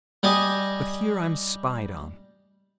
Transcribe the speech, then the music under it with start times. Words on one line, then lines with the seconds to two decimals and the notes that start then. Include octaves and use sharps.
But here I'm spied on.
0.23 G3 G4 D#5 G#5